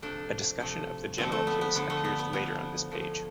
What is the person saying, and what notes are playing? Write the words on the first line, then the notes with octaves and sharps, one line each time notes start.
A discussion of the general case appears later on this page.
C3 F3 A3 D4
C3 F3 A3
D3 F3 A3 C4
A3
B3
B3
D3 F3 A3 B3
A3
B3
B3
A2 F3 A3 B3
A2 F3 A3